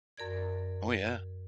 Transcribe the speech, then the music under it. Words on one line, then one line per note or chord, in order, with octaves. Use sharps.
Oh, yeah.
F#2 A#4 D5 G#6